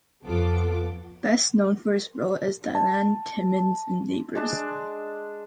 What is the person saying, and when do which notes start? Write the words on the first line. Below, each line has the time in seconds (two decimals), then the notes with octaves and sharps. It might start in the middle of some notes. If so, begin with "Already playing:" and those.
Best known for his role as "Dylan Timmins" in Neighbours.
0.25 F2 B3 F4 A4 D6
2.75 A5
4.35 G#3 D4 A5